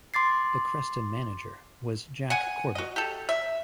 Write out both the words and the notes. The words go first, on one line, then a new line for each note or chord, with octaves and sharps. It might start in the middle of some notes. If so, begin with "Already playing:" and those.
The Creston manager was Jack Corbett.
C6 D6 A6 C7
F#5 G#5
F#4 D#5
G4 A4
E5